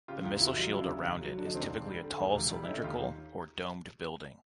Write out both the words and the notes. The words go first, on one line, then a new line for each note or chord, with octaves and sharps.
The missile shield around it is typically a tall cylindrical or domed building.
C#3 F4 G4
D#2 F4 G4
F1 E4 F#4
F#3 D#4 F4
C#3 D4 E4
D#2
F1
F#3
D3 D4
D#4
D#2 C4 D4
E1
G3
D3
D#2
E1
G3
E4
D3 C#4 D#4
D#2 F4 G4